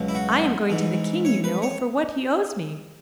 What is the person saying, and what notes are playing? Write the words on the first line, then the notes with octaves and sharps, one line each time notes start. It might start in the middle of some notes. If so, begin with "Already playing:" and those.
'I am going to the King, you know, for what he owes me.'
Already playing: C#2 B2 F#3
E4
F#4
G#2 E3
C#5
B4
C#5